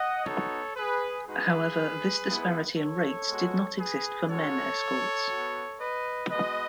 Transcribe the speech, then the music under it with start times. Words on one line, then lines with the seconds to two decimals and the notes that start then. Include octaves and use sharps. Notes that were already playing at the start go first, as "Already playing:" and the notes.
However, this disparity in rates did not exist for men escorts.
Already playing: D#5 F#5
0.25 B3 D#4 F#4 A4 C#5
0.76 G#4 B4
1.26 G#3 D#4 F#4 G#4 B4
2.26 G#3 B3 E4
2.78 A4 C#5
3.28 G#3 B3 F#4
3.78 G#4 B4
4.29 G#3 C#4 F#4 A4 C#5
5.29 B3 F#4
5.79 B4 D#5
6.29 G#3 B3 F#4 B4 D#5